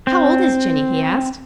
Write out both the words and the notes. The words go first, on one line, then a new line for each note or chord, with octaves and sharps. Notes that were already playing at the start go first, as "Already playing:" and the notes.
"How old is Jinny?" he asked.
C4